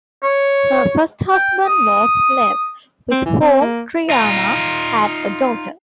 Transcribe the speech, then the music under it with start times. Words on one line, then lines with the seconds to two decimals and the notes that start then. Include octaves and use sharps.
Her first husband was Lev, with whom Triana had a daughter.
0.23 C#5
1.34 G5
1.67 D#6
3.11 C4
3.26 E3
3.40 C4
3.61 A#3
4.10 D#4 F4